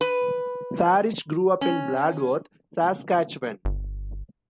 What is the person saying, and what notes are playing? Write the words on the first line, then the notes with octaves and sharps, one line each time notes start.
Sarich grew up in Bladworth, Saskatchewan.
B4
C#4
G1